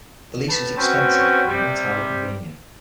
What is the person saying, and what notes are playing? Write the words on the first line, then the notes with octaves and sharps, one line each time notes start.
The lease was expensive and not entirely convenient.
A2 B4 A5
C4 C#4 F#4 B4 C#5
C3 G3